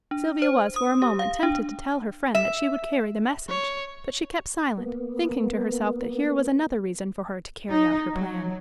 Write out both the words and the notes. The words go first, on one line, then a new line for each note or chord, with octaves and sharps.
Sylvia was for a moment tempted to tell her friend that she would carry the message, but she kept silent, thinking to herself that here was another reason for her to carry out her plan.
D4
C5
D#6
G4
F5
D4
E5
C#5
A#3 B3
D#4
F#3